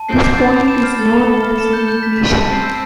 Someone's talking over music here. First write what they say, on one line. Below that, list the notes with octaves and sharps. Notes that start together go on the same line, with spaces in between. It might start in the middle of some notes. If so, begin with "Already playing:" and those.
This point is known as "ignition".
Already playing: A5
C4 C7
D6
A6
B5
C4 E7
F6
A4 A6
B5
B5
F6
A4 E7
G6
G6
B6
B6
A5
C4 A5
E6